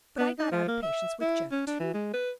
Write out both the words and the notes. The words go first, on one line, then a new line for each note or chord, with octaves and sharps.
But I got out of patience with Jeff, too.
B3
D#4
F3
A#3
E5
E4
C#4
D4
E3
G#3
B4